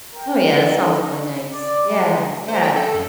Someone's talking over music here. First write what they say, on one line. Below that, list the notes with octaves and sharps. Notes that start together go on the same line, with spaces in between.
Oh, yeah, that sounds really nice. Yeah, yeah.
A#4 G5
C#4 D#4 A4
D5
G3
G#3
C5
G5
A4
F#2